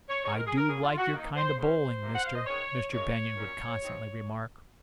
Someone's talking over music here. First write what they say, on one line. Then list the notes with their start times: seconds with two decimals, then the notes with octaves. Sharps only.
"I do like your kind of bowling, mister," Mr. Benyon would constantly remark.
0.09 C#5
0.23 C#3 G#3 C4 D#4 C#5
0.34 A#4
0.46 G#4
0.57 A#4
0.68 C#3 F#3 A#3 G#4
0.83 F4
0.98 F#4
1.13 D#3 A#3 D#4
1.35 C5
1.58 C#3 G#3 C#4 C5
2.01 C3 F3 A#3
2.14 F#5
2.25 F5
2.36 D#5
2.46 G#2 D#3 G#3 C#5
2.92 F#2 C#3 F3 G#3 C#5
3.36 A#2 F#3 C#4
3.81 C3 F3 C4 D#4